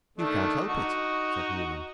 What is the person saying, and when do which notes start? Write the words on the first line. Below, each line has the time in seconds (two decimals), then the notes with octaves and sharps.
'You can't help it,' said Newman.
0.18 D#3 A3 D4
0.68 D#4 F#4